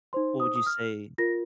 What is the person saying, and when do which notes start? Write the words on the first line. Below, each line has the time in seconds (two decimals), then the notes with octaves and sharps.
What would you say
0.13 D#4 C5 C6
0.40 D#6
0.56 D#6
0.66 F6
1.18 F4 A#4 A#6